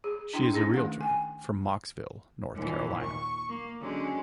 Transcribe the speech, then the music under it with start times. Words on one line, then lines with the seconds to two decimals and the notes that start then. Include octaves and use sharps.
She is a realtor from Mocksville, North Carolina.
0.04 G#4
0.33 D4 E4 G5 C6
0.53 C#4 D#4 E4 G#4
0.74 D#3 A3 F#5
1.01 G5 G#5
2.56 D#2 A#2 E3
3.01 C#6
3.48 A#3
3.80 D3 F#3 G#3 C#4